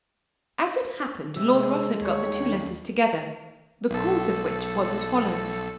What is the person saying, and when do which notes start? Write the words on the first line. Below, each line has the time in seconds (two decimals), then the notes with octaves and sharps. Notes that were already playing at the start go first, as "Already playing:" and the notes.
As it happened, Lord Rufford got the two letters together, the cause of which was as follows.
1.36 C3 G#3 E6
2.01 D#2 C#5
3.90 B1 A4